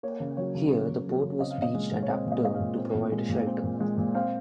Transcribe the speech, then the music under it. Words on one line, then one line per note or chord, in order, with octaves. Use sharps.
Here the boat was beached and up-turned to provide a shelter.
A#3 C#5
C#3
F#3 C#5
C#3
A#3
C#3
F#3
C#3
C4 D#5
F5
A#2 D#5
G#3
A#2
C#5
C4 D#5
A#2
D#5
G#3 D#5
F5
A#2
C4
A#2
G#3
A#2
C4
A#2
G#3
A#2
C4 F5